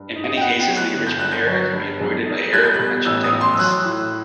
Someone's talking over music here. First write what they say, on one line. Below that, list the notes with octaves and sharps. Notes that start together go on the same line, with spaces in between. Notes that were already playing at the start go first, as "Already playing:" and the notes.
In many cases the original error can be avoided by error prevention techniques.
Already playing: G2
D#4
D#5
G5
B3 F#5
G5
F#3
F#6
G1
G6
G1 F#6
G6
F#3
G2
B1
D#4
G3 F#6
G6
F#6
B2
A1 E6
D#6
A1
C6
E6
F#3 F#6
A2